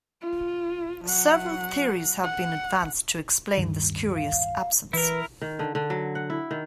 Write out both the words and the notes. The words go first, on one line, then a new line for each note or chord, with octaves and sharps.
Several theories have been advanced to explain this curious absence.
F4
F#3 F#5
F#5
D1 G2 D#3
F5
E3 E4 A#4 B4
D#3
D3
D3
F#3
F#5
E4
D#3